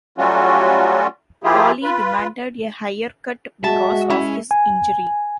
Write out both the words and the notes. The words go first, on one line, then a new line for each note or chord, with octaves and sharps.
Paulie demanded a higher cut because of his injury.
F#3 G3 A3 C#4 F4 F#4
F3 A#3 E4 F4 G4 G#4
F4 B4
G#3 F#4 E5 A5
C#4 E4
G#5